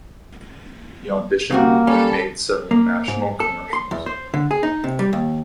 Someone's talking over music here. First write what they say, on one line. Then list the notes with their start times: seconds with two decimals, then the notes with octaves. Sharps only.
He auditioned and made several national commercials.
1.51 C#3 G3 A#3 F#4
1.87 G3 C#4 A4
2.71 A#3
3.08 G#2
3.40 A4
3.73 C6
3.91 E2
4.06 C5
4.34 D3
4.51 G#4
4.63 D#4
4.84 C3
4.99 G3
5.13 D#2